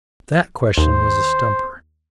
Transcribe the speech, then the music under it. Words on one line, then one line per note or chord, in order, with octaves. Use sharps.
That question was a stumper.
D#2 C5